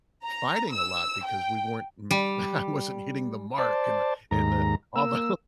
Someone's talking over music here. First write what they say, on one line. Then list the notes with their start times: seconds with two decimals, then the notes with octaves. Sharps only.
fighting a lot because we weren't m I wasn't hitting the mark and the and the all the
0.25 A#5
0.71 E6
1.26 G5
2.11 G3
3.58 C5 D5 A5
4.31 D#2 G#2 A#5
4.96 A#3 E6